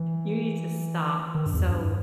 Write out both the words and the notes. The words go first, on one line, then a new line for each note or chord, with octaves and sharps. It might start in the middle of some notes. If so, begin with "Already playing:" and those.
you need to stop." So,
Already playing: E3
D#3
G2
E2
G2